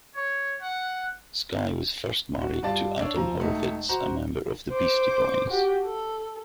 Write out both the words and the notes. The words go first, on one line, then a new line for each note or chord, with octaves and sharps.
Skye was first married to Adam Horovitz, a member of the Beastie Boys.
C#5
F#5
F#4
G2 F4 D5 A5 A6
D4 C#5 D5 E6
F3 A#5
E1 A3 D#4
F#4 C5 A#5
C5 D6
F#4 G4
A4